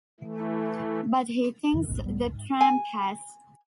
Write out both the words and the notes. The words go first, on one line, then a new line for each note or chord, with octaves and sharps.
But he thinks the tramp has.
E3 A3
F2 C3 D#3 F3
A1 D2 G#2 B2
C#2 A2 G3 B3
C#2 F#2
G#2
G#5